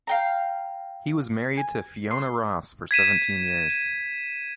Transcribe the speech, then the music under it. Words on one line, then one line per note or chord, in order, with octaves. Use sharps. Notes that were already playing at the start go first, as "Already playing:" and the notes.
He was married to Fiona Ross for seventeen years.
F5 G5 A#5
G#5
C6
G#6 B6 D#7 E7